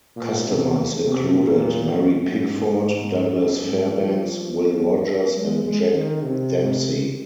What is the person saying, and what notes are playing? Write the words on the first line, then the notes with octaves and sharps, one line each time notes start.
Customers included Mary Pickford, Douglas Fairbanks, Will Rogers and Jack Dempsey.
A#2
C3
C3
A#2
F#2
G#2
G#2
F#2
G#2
F3
F#3
G#3
G#3
D#3
C3